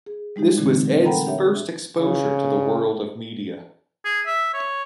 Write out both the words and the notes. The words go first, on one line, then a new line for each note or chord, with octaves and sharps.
This was Ed's first exposure to the world of media.
G#4
G3 G#3 D#4 G4
A#2 D3 E3 A3 C4
F#3
A4 A#4 F#5 G5 A#5 B5
D4 G4 C#5 E5
C#3
G#4
E5
C#5